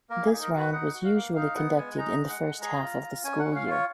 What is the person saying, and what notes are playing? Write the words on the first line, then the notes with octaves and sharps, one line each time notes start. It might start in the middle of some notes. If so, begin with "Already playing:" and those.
This round was usually conducted in the first half of the school year.
A#3 A#4
G#4
D#4
A#4
F#4
B4
D#4 F#5
F#4
F5
A#3
D#4 F5
B3 F#5
G#3 G#5
D#4 A#5
G#3
F#5
G#3
G#4 A#5
F4
F4
C#4 G#5
F#5
C#4
F5
F4 C#5